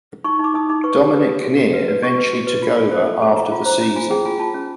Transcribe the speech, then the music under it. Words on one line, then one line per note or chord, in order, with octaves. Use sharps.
Dominic Kinnear eventually took over after the season.
D#4 C#6
D#4 D6
D#4 D#6
D#4 D6
B4 C#6
G4
B4 D#6
G4
F#4
F#4
B4
B4
F#4 C#6
B4
F#4
B4
F4
F4
C5
A4
A4 D6
A4 A#5
F4
C5 A#5
C#4
F4 G#5
G#4 G5
F4 G#5
F4 A5
C#4